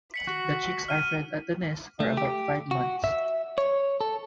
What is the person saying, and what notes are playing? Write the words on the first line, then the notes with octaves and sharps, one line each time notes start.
The chicks are fed at the nest for about five months.
B6 C#7 F#7
F#4
F6 D#7
A3
G4
F#4
E5
C#5
A4